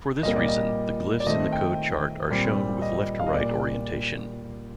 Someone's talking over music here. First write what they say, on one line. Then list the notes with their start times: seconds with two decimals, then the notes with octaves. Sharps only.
For this reason, the glyphs in the code chart are shown with left-to-right orientation.
0.23 A#2 G3 A#3 D#5
0.36 D5
0.48 D#5
1.20 D5
1.26 D#3 A3 C4 D#5
1.53 G5
2.30 A#2 G3 C4
2.82 D#5
3.19 F5
3.27 D#5
3.34 A#2 G3 A#3 D5